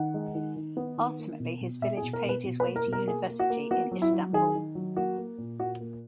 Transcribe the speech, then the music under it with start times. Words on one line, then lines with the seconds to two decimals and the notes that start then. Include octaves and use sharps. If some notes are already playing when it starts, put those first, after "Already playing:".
Ultimately, his village paid his way to university in Istanbul.
Already playing: D#3 F#5
0.14 G#3
0.35 D#3
0.56 D#3
0.77 B3
0.98 D#3
1.19 A#3
1.40 B2
1.61 B2
1.82 B2 E5
1.97 G#4
2.03 B2
2.13 A#4
2.24 B2
2.29 B4
2.45 B2
2.60 B4
2.66 A#3
2.76 A#4
2.87 B2
2.93 A#4
3.07 A#3 G#4
3.29 A#3
3.39 F#4
3.50 A#3
3.71 B3 F#4
3.91 F#3
4.02 E4
4.12 F#3
4.33 D#3 G#4
4.55 D#3
4.75 F#3
4.96 A#3 F#4
5.18 A#3
5.38 A#2
5.60 A#2 F#4
5.81 A#3